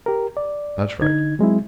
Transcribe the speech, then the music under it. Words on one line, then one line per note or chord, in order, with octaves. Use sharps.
That's right.
G4 A#4
D5
D3 D#4 G#6
F#3 G#3 C4 E4